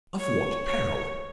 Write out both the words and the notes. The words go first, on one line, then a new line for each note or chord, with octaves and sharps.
Of what peril?'
C#5
C#5